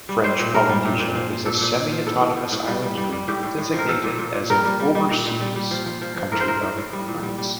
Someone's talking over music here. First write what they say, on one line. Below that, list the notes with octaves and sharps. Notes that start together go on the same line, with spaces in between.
French Polynesia is a semi-autonomous island group designated as an overseas country of France.
G3
G3 C5
A#2
G3 A#4
G3
A#2
A#2
F3
F3
A#2 A4
A#2
F3
F3
A2 A4
A2
F3
A2
G3
G3
G3
G3
A2 G4
A2
A2
F3 A#4
F3 A4
A#2
A#2
A#2
G3 A#4
G3
G3
G3
A#2
A#2
G3
G3
F3
F3
F3
F3
A2 A#4
C5
A2 A#4
A2
A2
G3
A#2
G3
G3